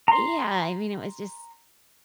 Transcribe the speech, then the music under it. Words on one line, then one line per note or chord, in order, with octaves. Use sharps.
Yeah, I mean, it was just
A#5 C6